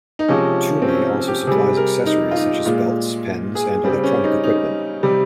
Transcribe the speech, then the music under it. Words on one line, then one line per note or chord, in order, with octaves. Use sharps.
Tumi also supplies accessories such as belts, pens, and electronic equipment.
D#4
C3 F3 G#3 C#4
C4
C#4
C#4
G4
C3 G3 G#4
A#4
D#4
F4
D#4
A#2 G#3 F4
G#4
C#3 G3 C4
C#4
D#4
D#4
C3 G3